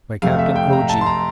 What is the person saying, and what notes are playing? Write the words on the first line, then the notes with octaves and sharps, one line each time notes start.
By Captain O.G.
F2 C3 F3 A3 F5
E5
G5
A#5
A5
C6
A#5